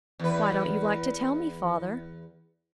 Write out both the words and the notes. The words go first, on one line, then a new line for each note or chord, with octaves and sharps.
'Why don't you like to tell me, father?
E2 B4